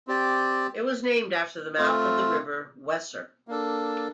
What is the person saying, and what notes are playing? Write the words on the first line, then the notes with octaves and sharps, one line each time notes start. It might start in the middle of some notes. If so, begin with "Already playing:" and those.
It was named after the mouth of the river Weser.
C4 G4 D5
A3 C4 F4
A#3 D4 A4